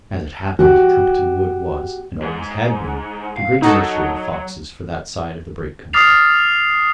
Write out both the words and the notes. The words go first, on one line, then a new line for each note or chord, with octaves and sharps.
As it happened, Trumpeton Wood was, and always had been, the great nursery of foxes for that side of the Brake country.
F#4 G4
G#2
F5
F#3 D#4 F#4 A4
D6 D#6 F6 A6 C7 F7